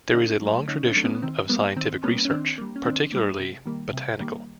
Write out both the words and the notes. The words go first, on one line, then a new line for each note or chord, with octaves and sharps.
There is a long tradition of scientific research, particularly botanical.
E4
D3 C#4 D#4
F#3 A3
D3 C#4 D#4
C4 D4
F#3 A3
B3 C#4
B3
D#3 C4
G3 A#3 B3
D#3 C4
G3 A#3 B3 C#4
C#4
D#3 C4 D4
G3 A#3
C#4
D#3 C4 D4
G3 A#3
C3
D#3 G3 A#3
C3
D#3 G3 A#3